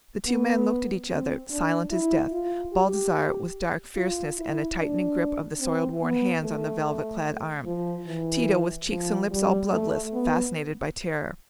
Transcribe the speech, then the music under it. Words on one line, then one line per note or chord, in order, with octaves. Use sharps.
The two men looked at each other, silent as death: Baldassarre, with dark fierceness and a tightening grip of the soiled worn hands on the velvet-clad arm; Tito, with cheeks and lips all bloodless, fascinated by terror.
B3
C4
D4
E4
F4
G4
F4
E4
D4
C4
B3
A3
F3
E3
F3
G3
A3
B3